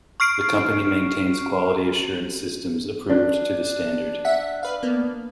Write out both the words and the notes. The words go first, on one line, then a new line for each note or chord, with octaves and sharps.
The company maintains quality assurance systems approved to the standard.
C#6 F6 C7 D7
D4
E5 F#5 B6
B4 F5
A#3 B3